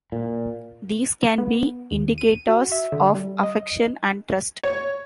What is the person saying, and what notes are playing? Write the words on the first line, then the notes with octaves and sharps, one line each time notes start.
These can be indicators of affection and trust.
A#2
B3
D#2
D#7
F#4
E5
D3
G3
D#5
C#5